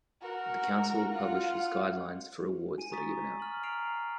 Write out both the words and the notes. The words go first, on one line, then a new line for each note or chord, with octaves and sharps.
The Council publishes guidelines for awards that are given out.
F#4 A#4
F4 F#5
G#5 D#7
A#5 C#6 D#6 A6 B6
F6 F#7
A#5 F6 C7 D7 F7